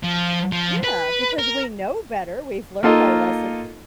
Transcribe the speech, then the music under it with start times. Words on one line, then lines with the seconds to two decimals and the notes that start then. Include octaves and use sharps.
Yeah, because we know better, we've learned our lessons
0.03 F3
0.52 F3
0.83 B4
1.39 A#4
2.83 A#3 D#4 F4 A4 D#5